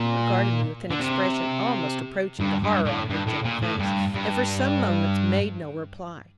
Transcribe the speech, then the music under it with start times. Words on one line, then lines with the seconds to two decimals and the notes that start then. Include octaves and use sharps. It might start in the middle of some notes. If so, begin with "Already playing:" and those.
She regarded me with an expression almost approaching to horror on her gentle face, and for some moments made no reply.
Already playing: A#2
0.90 D3
1.00 C3
2.40 G2
2.63 G2
2.86 A2
3.10 G2
3.27 A2
3.45 A#2
3.62 A2
3.79 G2
4.14 G2